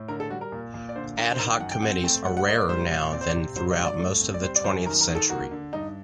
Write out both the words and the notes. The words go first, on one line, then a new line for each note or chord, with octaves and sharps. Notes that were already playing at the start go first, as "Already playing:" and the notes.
Ad hoc committees are rarer now than throughout most of the twentieth century.
Already playing: A2
D3 A#4
A4
G3 F#4
A#4
A#2
A#2
D5
D3 C5
D3 A#4
C5
D#3 A#4
G5
F#2 F#5
G5
C4 F#5
A3 G5
G3 F#5
F#5
A#3 D#5
D5
G3 C5
A#2
C4 D5
C5
D5
C3
F#3 C5
D#5
G2
D5
A3
C4
D5
G3 C5
D5
F#2 C5
D#3 A#4
A#4
D#3
A4
A#3 F#4
D3
G2 D#4